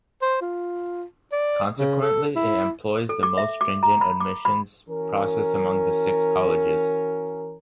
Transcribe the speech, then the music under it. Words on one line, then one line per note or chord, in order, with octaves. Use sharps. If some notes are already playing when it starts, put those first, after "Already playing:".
Consequently, it employs the most stringent admissions process among the six colleges.
C5
F4
D5
C#3
A4
E4
A4
D6
E5
D6
A#5
B5
D6
B5
E3 C#4 F#4 A#4